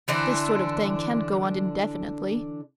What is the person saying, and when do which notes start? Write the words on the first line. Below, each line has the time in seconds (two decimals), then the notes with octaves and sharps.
This sort of thing can't go on indefinitely.
0.08 D3 E3 D4 C5